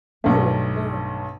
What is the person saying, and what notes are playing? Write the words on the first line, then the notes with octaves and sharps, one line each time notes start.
More! more!
B1 G2 A3